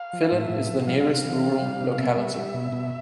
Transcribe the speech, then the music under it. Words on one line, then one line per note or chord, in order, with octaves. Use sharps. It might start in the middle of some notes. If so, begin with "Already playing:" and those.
Filin is the nearest rural locality.
Already playing: F5
F3
A2 E5
A2
F3
G3 F5
F5
C3
E3
C3
G3
C3
F5
B2 E5
G3
G3
B2
B2